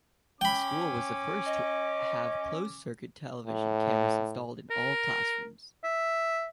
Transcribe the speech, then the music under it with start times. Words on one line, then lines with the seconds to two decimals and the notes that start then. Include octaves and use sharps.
The school was the first to have closed-circuit television cameras installed in all classrooms.
0.41 C#4 G5 B5 D6
1.46 D#5
3.46 A2
4.71 A#4
5.84 E5